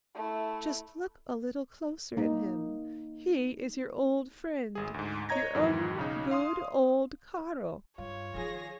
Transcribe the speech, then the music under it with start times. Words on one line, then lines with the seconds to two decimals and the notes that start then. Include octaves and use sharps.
Just look a little closer at him: he is your old friend, your own good old Caro.
0.15 A3 E4
2.17 A#3 D#4
4.75 G#1 G#4
4.94 D2 G#2
5.29 C#5 D#5 A#5 G#6 A#6
5.55 F2 G#2 D#3 E3 F#3
5.98 B1 C#3 D#4
6.31 F5 C6 D#6
7.98 G2 F4 C#5
8.34 D#3 F3 G#4 A#6